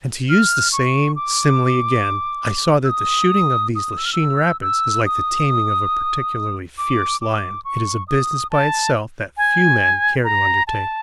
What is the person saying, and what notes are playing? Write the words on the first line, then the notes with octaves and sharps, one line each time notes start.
And, to use the same simile again, I saw that the shooting of these Lachine Rapids is like the taming of a particularly fierce lion; it is a business by itself that few men care to undertake.
F6
C#6
D6
E6
D#6
D#6
E6
F6
E6
E6
D#6
D6
D6
C#6
D#6
A5
G#5
A#5
A5